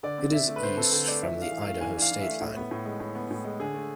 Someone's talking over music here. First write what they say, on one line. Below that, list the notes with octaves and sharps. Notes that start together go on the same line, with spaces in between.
It is east from the Idaho state line.
D3 D5
C4
D3 E5
A3
B4
D3 C5
C4 A4
D3 A4
A3 D5
E3 E5
D4
F5
E3
F5
A3
E3 G#5
D4
F5
E3
A3 E5
A2
B3
A2
G#3
A2
B3
A2
G#3
D3 G#4
A3